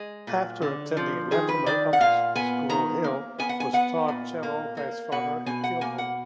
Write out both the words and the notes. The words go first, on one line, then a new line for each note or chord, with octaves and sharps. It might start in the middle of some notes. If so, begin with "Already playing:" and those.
After attending Latymer Upper School Hill was taught cello by his father at Guildhall.
Already playing: G#3
A#2
D3
F3
D#3 G#4
B4
D#3 D5
F#5
A#2 F5
B3 G#5
D#3 A#5
A#3
B3 G#5
F#5
G#5
B3 F#5
A#2
A#3
A#3
B2 F#5
B2 G#5
F#5
A#3 G#5
F#5